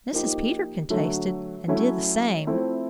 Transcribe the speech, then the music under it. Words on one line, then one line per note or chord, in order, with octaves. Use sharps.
Mrs. Peterkin tasted, and did the same.
F3 A#3 D#4 G4
D3 F#3 A3
F#3 A3 C#4 E4
F3 A3 C4 E4